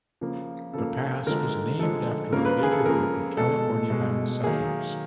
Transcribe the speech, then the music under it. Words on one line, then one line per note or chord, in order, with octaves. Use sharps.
The pass was named after a later group of California-bound settlers.
C#3 F3 A#3
C#3 F3 A#3 A4
D3 F3 G#3 A#4
D3 F3 G#3 A4
C#3 F3 A#3 A#4
B4
G#4
A4
C#3 F3 A#3 A#4
B2 G#3 A4
B2 G#3
D#3 F#3 A#3 G#4